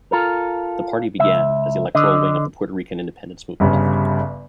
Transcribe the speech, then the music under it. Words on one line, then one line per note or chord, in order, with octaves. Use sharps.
The party began as the electoral wing of the Puerto Rican independence movement.
F4 A4 A#4
C#2 E5
D3 D4 D#5
G1 G2 C#3